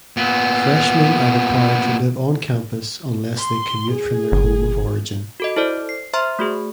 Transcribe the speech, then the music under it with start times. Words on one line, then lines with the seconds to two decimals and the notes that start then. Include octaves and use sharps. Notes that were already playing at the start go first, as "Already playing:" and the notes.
Freshmen are required to live on-campus, unless they commute from their home of origin.
0.17 A#2 B3
3.39 C6
3.91 G#4
4.32 G1
5.40 F#4 A4 D#5
5.56 E4 A4 C5 D5
5.89 C7
6.13 C5 E5 A#5 C6 F6
6.39 A3 F#4 G#4